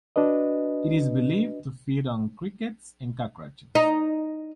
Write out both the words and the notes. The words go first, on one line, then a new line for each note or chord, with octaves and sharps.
It is believed to feed on crickets and cockroaches.
D4 F#4 B4 D#5
D#4